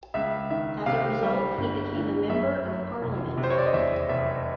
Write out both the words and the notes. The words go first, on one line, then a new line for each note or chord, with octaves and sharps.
As a result, he became a Member of Parliament.
C#2 E5
D#3 E5
C3 F5
G3
G1
D3
F#2 E5
F#3
F1
C3
C5
C#5
D5
D#5
E2 E5
F1 E5